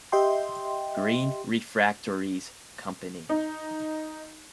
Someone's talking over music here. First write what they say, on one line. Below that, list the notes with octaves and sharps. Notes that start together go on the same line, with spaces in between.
Green Refractories Company.
G4 D#5 E5 G5 C6
D#4